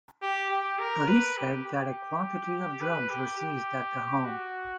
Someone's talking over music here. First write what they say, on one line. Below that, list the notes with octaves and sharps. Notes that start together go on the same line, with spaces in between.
Police said that a quantity of drugs were seized at the home.
G4
G4
A#4
B4
G4
G4
B4
G4
G4
F#4